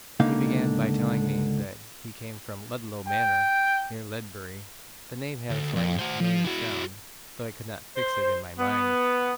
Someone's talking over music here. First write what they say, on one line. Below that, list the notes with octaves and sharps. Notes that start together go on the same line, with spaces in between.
He began by telling me that he came from Ludlow Manor, near Ledbury. The name had a slightly familiar sound, though I could not fix it in my mind.
C#2 D3 A#3 D#4 F5
G5
D2
F2
F#4 C5
F3
E4 F#4
C5
B3